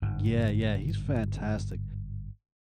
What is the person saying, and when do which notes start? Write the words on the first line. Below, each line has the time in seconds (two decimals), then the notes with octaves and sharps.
Yeah, yeah, he's fantastic.
0.02 G1 G#2